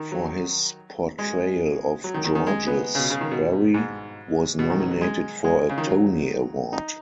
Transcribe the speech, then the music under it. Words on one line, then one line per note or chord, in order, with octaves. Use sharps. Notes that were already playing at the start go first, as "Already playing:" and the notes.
For his portrayal of Georges, Barry was nominated for a Tony Award.
Already playing: D#3
F#3
G#3
F#3
D#3
D#3
D#3
G#3
B3
C#3
B2
C#3
D#3
B2
G#2
B2
D#3
F#3
F#3
G#3
G#3
C#3
D#3
F#3
D#4